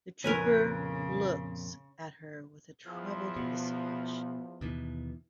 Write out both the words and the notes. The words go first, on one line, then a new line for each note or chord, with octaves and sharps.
The trooper looks at her with a troubled visage.
F2 A#2 C#3 A#4 B4 C#5 G#5
E2 F3
B2
D#2 B2 E3